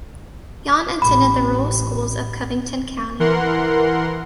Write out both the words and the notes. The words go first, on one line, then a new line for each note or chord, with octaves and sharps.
Yawn attended the rural schools of Covington County.
A1 B5
E3 A#4 F#5 C6